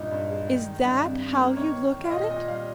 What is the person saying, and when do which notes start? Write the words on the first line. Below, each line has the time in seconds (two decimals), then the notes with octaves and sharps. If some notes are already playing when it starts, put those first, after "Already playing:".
Is that how you look at it?
Already playing: G2 A#2 D#4
0.11 G2
0.29 G#3
0.47 D#3
0.65 D#3
0.83 G2
1.02 C3
1.21 C3
1.38 A#3
1.56 D#3 C#5
1.75 D#3
1.93 D#3
2.04 F5
2.11 A#2 D#5
2.30 A#2 D#5
2.47 G3 F5